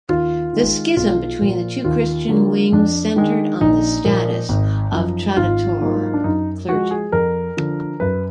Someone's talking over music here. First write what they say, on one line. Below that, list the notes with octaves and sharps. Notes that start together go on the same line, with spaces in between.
The schism between the two Christian wings centered on the status of traditore clergy.
D#2 F4
D#3 G#3
B1 F4
A#2 F3
D#2 F4
D3 F#3 A#3
F2 D4
D#3 G#3
A#1 D#4
A#2 F3 A#3
G#1
F#2 F3
G#1 F4
G#2 F#3 A#3
D4
F#2 D#4
F3 G#3 F#4
G#4
F2 A#4
D3 F3
F#2 B4